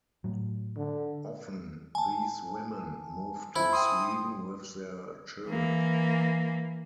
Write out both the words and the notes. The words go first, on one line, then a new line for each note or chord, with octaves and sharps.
Often these women moved to Sweden with their children.
A2 F#3
D3
G#5 A5
E4 C5
G5 C6 D#6
E3 A#3